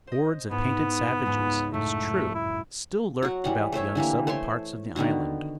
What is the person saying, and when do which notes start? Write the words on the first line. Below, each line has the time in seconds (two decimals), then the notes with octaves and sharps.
Hordes of painted savages, it is true, still lurked about the unsettled parts of the island.
0.07 C5 D#5
0.51 G#2 B3 E4
1.26 C#2 G#2 G#3
1.74 F#2 A2 A3
2.35 E4
3.23 F#3 F#4
3.44 E3 G3 F#5
3.72 A3 C5 C#5 E5
3.95 D3 E3 G3 A#3
4.27 A3 C5 C#5 C6
4.96 D3 D#3 B3 F#4